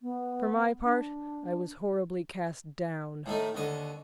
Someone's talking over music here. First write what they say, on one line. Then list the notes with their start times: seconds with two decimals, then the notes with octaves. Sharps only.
For my part, I was horribly cast down.
0.02 B3
0.84 D4
3.26 A2 D#3 A3 D#4
3.55 D#2 D3 D#5 C#6